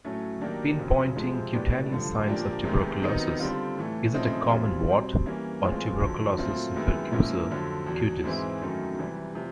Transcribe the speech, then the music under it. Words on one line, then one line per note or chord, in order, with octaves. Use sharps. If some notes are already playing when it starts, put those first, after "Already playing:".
Pinpointing cutaneous signs of tuberculosis: is it a common wart, or tuberculosis verrucosa cutis?
A2 F#3 A3 C#4
D#3 F#3 A#3 D4 G4
F2 C#3 F#3
C3 F3 G#3 C4
A2 F#3 B3 D4 G4
G2 D3 F3
A#2 F3 A#3 D4 G4
C3 D#3 G#3 B3
C3 D#3 F#3 B3 D#4
D3 G3 C4 F4
A2 E3 A3
C#3 F3 A3 C4 D#4
E2 B2 G3 C4 F4
B2 G3 C4
E3 G3 A#3 C#4
A2 E3 G#3 C4 F4
F2 D3 F#3
A#2 F#3 A3 C4 F4
F#2 D#3 G#3 B3 E4
G#2 F3 A#3 C#4 E4
F2 D3 F#3
E2 B2 F#3
G#2 E3 G#3 C4 E4
F#2 D#3 F#3 A3 C#4
C3 E3 G3
C3 F3